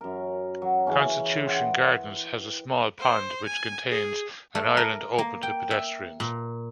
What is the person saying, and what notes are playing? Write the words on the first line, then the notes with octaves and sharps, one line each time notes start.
Constitution Gardens has a small pond, which contains an island open to pedestrians.
F#2 A#4
F#3
C#3 E3 C#4
F#5 G5 C6
C5
G#5
G#4
A3
A#4
A#3
G5
E5
A#2